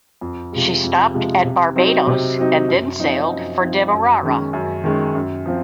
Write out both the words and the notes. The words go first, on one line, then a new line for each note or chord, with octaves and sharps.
She stopped at Barbados and then sailed for Demerara.
F2
C3 F3 G#3
F2
C3 F3 G#3
C3
F#3 C4 D#4
C3
F#3 C4 D#4
F#2
F3 C4 D#4
F#2
F3 C4 D#4
F#2
D#3 G#3 C#4
F#2
D#3 G#3 C#4
F#2
F3 C4